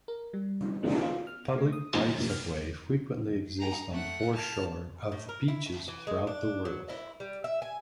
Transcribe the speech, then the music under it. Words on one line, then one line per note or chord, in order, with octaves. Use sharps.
Public rights of way frequently exist on the foreshore of beaches throughout the world.
A#4
G3
F4
F6
A3
D#6
E3
F6
A#5
A3 F#5
A5 F6
A2
A#4
E4
A3
E3
G#3
D4
F#3
E4
G3
E5
G#5